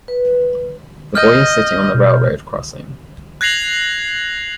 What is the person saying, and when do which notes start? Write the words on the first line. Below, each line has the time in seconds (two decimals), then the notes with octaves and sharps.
The boy is sitting on the railroad crossing.
0.08 B4
1.15 D#5 F6 G6
1.94 B2
3.41 F#6 G#6 A#6 C7 F7 F#7